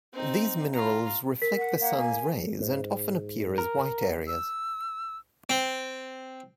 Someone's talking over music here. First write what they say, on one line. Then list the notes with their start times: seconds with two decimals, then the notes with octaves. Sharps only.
These minerals reflect the Sun's rays and often appear as white areas.
0.13 C4 D#4
0.73 F4 A#5
1.42 A#4 B6
1.57 F#5
1.81 A#3 F#5
1.99 G#5
2.60 G#2
3.58 A#4
4.27 E6
5.50 C4